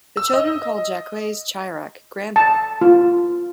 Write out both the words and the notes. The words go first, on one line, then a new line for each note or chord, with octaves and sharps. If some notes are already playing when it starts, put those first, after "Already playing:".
The children call Jacques Chirac "Grandpa".
E6
D#5
A5
F4